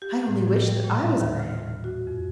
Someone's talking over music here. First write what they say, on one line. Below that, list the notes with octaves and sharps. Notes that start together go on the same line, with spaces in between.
I only wish that I was a man!'
G4
A2
F3
G3
A#2
E5
D#2
F6
F#4
F2